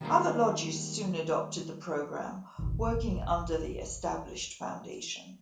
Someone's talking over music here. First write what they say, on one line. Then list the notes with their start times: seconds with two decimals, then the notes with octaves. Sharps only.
Other lodges soon adopted the program, working under the established foundation.
0.01 D#3 G3 G#3 A#3 C4 A#5
2.59 E1 A1 D#3